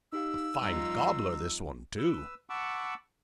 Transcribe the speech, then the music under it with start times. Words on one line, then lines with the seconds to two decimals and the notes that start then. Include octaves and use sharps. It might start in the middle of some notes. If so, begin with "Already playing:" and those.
"A fine gobbler this one, too!"
0.12 D#4 G4 F5 E6
0.62 F2 G3 D#4 F4
1.98 B4 E6
2.50 F#5 A5 B5 C#6 D6 E6